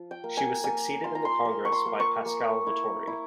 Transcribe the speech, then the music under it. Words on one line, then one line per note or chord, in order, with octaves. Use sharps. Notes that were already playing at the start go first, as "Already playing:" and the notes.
She was succeeded in the Congress by Pascal Vittori.
Already playing: F3 F4
G5
A#3
G#5
A#3 G#5
F4 C6
A#5
C6
A#3
C#6
C6
A#3
C#6
A#3
E4
E4